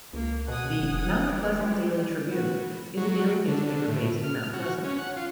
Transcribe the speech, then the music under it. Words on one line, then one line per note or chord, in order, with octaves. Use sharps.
The "Mount Pleasant Daily Tribune" is a daily newspaper based in Mount Pleasant.
C#2 A#3
B2 F#5 G#5 D#6
F1
E3 G3
G#3
F#4 B4
F#3
D3
A2
F6
F#4
C#4
F#5
F4